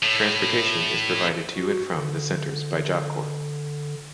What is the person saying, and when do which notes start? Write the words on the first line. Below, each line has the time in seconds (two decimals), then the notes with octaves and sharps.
Transportation is provided to and from the centers by Job Corps.
0.03 A2
1.55 F#4
1.94 D3